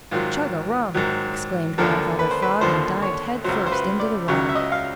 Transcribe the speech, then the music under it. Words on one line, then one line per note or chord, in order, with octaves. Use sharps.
"Chug-a-rum!" exclaimed Grandfather Frog and dived head first into the water.
G#2 D#3 F#3 F4
G#2 D#3 F#3
D#2 D3 F3 A#4
B4
C5
B4
D#2 D3 F3 C5
C#5
C#2 C#3 F#3 C5
C5
B4
D5
C#2 C#3 F#3 C#5
E5
D#5
F5